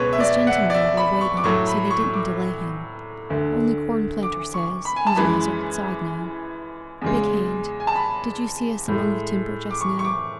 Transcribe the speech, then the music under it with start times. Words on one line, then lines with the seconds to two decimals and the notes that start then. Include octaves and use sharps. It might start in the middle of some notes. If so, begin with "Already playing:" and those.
'His gentlemen were waiting, so they didn't delay him-, only Cornplanter says, using his old side-name, "Big Hand, did you see us among the timber just now?"
Already playing: C#2 B2 G#3 B4 C#5
0.13 E5
0.20 D5
0.47 F#5
0.51 E5
0.70 D5
0.74 E5
0.97 B5
1.21 C#6
1.37 D6
1.44 A2 F#3 A3 C#6
1.67 B5
1.91 C#6
2.14 D6
3.30 D2 D3 A3
4.23 D6
4.54 C#6
4.85 B5
4.96 G#5
5.07 A5
5.16 F#2 E3 G#3 B5
7.02 E2 C#3 G#3
7.80 G#5
7.87 A5
7.95 B5
8.88 A2 G#3
9.71 D6
9.81 C#6
9.99 C#6
10.05 D6